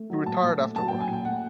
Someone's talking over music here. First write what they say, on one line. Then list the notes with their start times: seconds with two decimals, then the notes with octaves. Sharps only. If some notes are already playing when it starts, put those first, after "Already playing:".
He retired afterward.
Already playing: A3
0.10 F#3
0.26 A#2 A5
0.43 A#2
0.59 A3
0.76 F#3 A5
0.88 G5
0.93 A#2
1.00 G#5
1.08 A#2 G5
1.25 A3 F#5